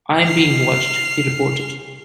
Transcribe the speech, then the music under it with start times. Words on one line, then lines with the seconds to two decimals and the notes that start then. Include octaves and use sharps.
"I'm being watched," he reported.
0.23 F6 C7